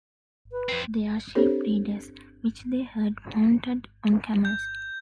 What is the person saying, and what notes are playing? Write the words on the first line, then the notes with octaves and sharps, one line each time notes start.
They are sheep breeders, which they herd mounted on camels.
B4
F2 C4
C4 D4 G4 A4 C5 C#5
G6